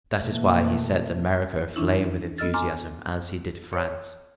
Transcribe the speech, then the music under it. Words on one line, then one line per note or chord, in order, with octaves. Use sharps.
That is why he sets America aflame with enthusiasm, as he did France.
B2 E3 A3 A#3
E3 C#4 D4 E4
B3 A4 D#5 E6 F6 A6
G#5 A#5 C6 D6 F6
C#5